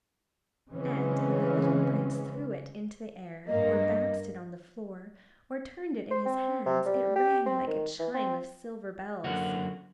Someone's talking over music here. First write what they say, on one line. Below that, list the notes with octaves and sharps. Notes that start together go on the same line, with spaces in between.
And when the little prince threw it into the air, or bounced it on the floor or turned it in his hands it rang like a chime of silver bells.
C#3 E3 G#3 C4 C#4
G2 A#3 D#5
C5
C4
C3
G3
G4
C4
D#3
E3
C4
F#2 D3 A#3 F#4